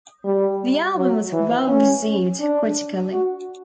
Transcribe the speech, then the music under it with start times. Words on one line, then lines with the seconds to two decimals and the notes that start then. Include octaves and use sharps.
The album was well-received critically.
0.24 G3
0.96 F#3
1.33 E3
1.67 C#4
2.40 D4
3.12 F#4